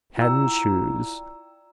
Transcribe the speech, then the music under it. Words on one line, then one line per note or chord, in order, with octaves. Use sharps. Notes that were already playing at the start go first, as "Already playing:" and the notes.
Tan shoes.
E4 F4 D5 G5 A#5 E6